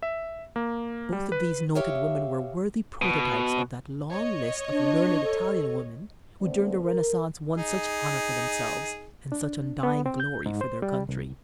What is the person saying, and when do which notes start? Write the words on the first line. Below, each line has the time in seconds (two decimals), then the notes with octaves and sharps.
Both of these noted women were worthy prototypes of that long list of learned Italian women who, during the Renaissance, won such honor for themselves and such undying glory for their country.
0.03 E5
0.56 A#3
1.12 G3
1.32 B4
1.75 G4 C#5 E5 F5
3.02 B2
4.10 C#5 D#5
4.71 D4
5.24 A4
6.41 D3 A3 B3 C4 C5 D5
6.85 A#4
7.57 D#4 G#4
9.32 D4
9.83 B3
10.06 C4
10.20 G6
10.46 G#2
10.61 C5
10.82 G3
11.09 C2